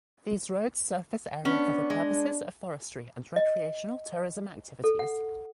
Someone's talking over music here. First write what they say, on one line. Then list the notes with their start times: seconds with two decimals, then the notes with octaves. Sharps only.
These roads serve this area for the purposes of forestry and recreational tourism activities.
1.45 B3 C#4 D4
1.90 G#3
3.36 D#5
4.84 A4
4.99 F#5